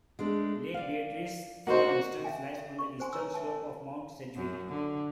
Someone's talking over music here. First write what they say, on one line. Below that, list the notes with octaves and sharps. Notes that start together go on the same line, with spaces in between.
Lake Beatrice for instance lies on the eastern slope of Mount Sedgwick.
G#3 A3 D4
D5 F5
A#3 D#4 F#4 C5 F#5
E5 F5 G5 G#5
E5
C#6
C5 G#5 C6
B4 C#5 A#5 E6
E5 G#5 A5
F#2
D3